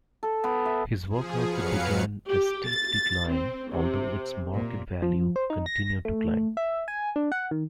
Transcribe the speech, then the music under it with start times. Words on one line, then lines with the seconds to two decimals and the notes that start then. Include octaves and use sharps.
His work output began a steep decline, although its market value continued to climb.
0.23 A4
0.44 B3
0.65 E5
1.09 F3 G#4
1.48 F2 F#3 B4 F5 C#7
2.30 G4
2.68 A6
3.31 C4
3.73 C3
4.54 A#2
5.02 F3
5.36 C5
5.50 D#4
5.66 A#6
6.05 A3
6.57 E5
6.88 G#5
7.16 D4
7.32 F#5
7.51 D#3